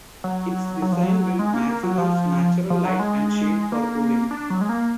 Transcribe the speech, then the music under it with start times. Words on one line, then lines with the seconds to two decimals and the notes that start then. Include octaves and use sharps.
Its design will maximize natural light and shade for cooling.
0.24 F#3
0.82 F#3
0.92 F3
1.03 F#3
1.39 G#3
1.54 A#3
1.69 A#3
1.83 F#3
1.98 F3
2.70 F3
2.85 F#3
2.99 G#3
3.72 A#3
4.31 D4
4.50 F#3
4.61 G#3
4.69 A#3